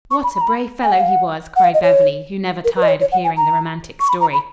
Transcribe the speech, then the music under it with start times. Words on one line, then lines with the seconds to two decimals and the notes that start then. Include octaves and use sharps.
"What a brave fellow he was!" cried Beverly, who never tired of hearing the romantic story.
0.11 C#6
0.24 B5
0.35 B5
0.41 A#5
0.48 B5
0.83 G#5
0.92 F#5
1.00 F5
1.08 F#5
1.56 F#5
1.64 F5
1.74 D#5
1.83 C#5
2.65 A#4
2.76 B4
2.82 D#5
2.88 C#5
3.01 C#5
3.12 F#5
3.24 G#5
3.37 A#5
4.00 C#6
4.09 B5
4.21 A#5
4.33 B5